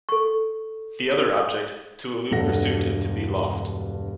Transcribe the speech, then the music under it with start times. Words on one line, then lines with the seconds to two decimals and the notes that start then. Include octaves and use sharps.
The other object, to elude pursuit and to be lost.
0.09 A4 C#6
2.31 E1 G2 F#3 A4 F#5 A#6